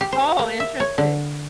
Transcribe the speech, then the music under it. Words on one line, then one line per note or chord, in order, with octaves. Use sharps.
Oh! Interesting.
G4
C5
A#3
E5
C#5
D3